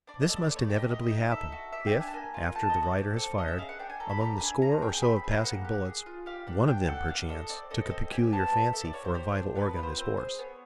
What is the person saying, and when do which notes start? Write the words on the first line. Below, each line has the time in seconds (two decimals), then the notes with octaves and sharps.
This must inevitably happen if, after the rider has fired, among the score or so of passing bullets, one of them, perchance, took a peculiar fancy for a vital organ of his horse.
0.07 D4 D5
0.22 D#5
0.28 A4
0.36 D5
0.49 A3 D5
0.56 C#5
0.63 D5
0.70 G4
0.76 D#5
0.90 G4 D#5
1.11 D#4
1.31 A4 E5
1.52 F#4
1.72 G4 E5
1.87 G5
1.93 D4
2.01 G#5
2.08 A5
2.13 A#3 G#5
2.34 F4
2.55 A3 A5
2.70 D#5
2.76 F#4
2.83 D5
2.97 C4
3.17 A4
3.38 C#4 D#5
3.48 E5
3.58 G#4 F5
3.69 F#5
3.79 D4 G5
3.90 G#5
4.00 A4 A#5
4.09 B5
4.20 G4 A#5
4.41 D4 G#5
4.62 C#4 A#5
4.72 A#5
4.82 G#4 G5
4.93 G5
5.02 C4 B5
5.16 B5
5.24 G#4
5.31 A#5
5.37 G5
5.44 A#3 F#5
5.65 G4
5.85 G#4
6.06 F4
6.26 G4 F5
6.47 D4 F#5
6.68 D4 G5
6.88 A4 F#5
7.08 D4 F5
7.29 A4 D#5
7.49 C4 D5
7.71 A4 D#5
7.90 C4 D#5
8.11 G4 G#5
8.32 B3 A5
8.53 G4
8.73 A4 E5
8.85 D5
8.94 F#4 C#5
9.05 C5
9.15 G4
9.35 D4
9.55 B3 B4
9.69 B4
9.77 F4
9.83 C5
9.97 C4 C5
10.17 G#4
10.39 B3 C#5